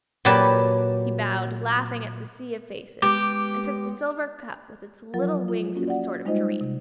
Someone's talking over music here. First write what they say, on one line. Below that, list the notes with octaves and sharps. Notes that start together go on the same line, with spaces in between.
He bowed laughing at the sea of faces, and took the silver cup with its little wings in a sort of dream.
A#2 F#3 G4 B4 A5
G#3 B3 G4 D6
F3 F#3 F4 A#4
F4
A#3 C#4 F4 F#4
D5 F#5
G3 G#3 D#4 F4 C5 D#5
C3